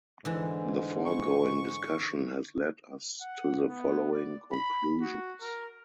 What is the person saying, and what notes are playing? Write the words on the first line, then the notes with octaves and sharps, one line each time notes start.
The foregoing discussion has led us to the following conclusions.
G#2 D3 E3
C#6
F#5
B3
D5
B5
F#4
A#4